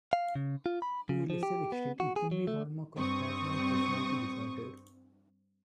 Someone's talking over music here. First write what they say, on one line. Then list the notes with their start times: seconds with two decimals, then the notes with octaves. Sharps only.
To a lesser extent, it can be a hallmark of paranoid personality disorder.
0.13 F5
0.35 C#3
0.66 F4
0.82 B5
1.09 C#3
1.30 F3
1.43 G4
1.72 B3
2.00 F#4
2.16 G#4
2.31 F#3
2.47 A3
2.96 G2 C4 C#6 D#6